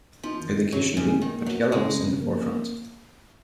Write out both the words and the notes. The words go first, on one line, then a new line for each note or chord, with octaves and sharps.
Educationally, Patiala was in the forefront.
F3 D#4
D#3
G#2
D#3 F#3
D#4
C#3
G#3
D#3 A#3
A#3
F#3
A#3
C#3 G#3
C#3
C#3
A#3
A#3